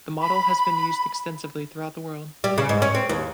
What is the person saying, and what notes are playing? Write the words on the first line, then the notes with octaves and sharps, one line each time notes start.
The model has been used extensively throughout the world.
B5
G3
C#3
G#2
C#4
C4
D#2